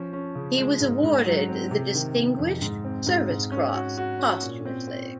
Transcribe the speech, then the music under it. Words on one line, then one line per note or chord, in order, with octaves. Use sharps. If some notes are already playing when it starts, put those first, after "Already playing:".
He was awarded the Distinguished Service Cross posthumously.
Already playing: F3 C#4
C#4
C#3
G#3
G#2
G#2
F#3
C4
C3
D#3
C3
F2
G#2
C4
G#2
G#2
C#4
F#4
F#4
C#4
A#2
C4
C4